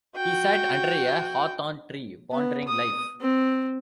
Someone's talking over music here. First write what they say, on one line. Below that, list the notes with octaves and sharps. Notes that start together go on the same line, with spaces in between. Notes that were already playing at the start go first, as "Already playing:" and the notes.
He sat under a hawthorn tree, pondering life.
F#4 G5
B3
D#6
C4